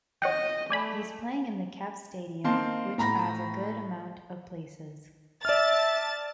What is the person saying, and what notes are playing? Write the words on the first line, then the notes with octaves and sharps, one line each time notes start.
He’s playing in the Kef stadium which as a good amount of places.
C#5 D#5 F#5 G5
A3 D5 G#5 B5
D#3 A#3 C4 A5 C6
A2 A#5 B5 A#6
D5 E5 A5 F6 A6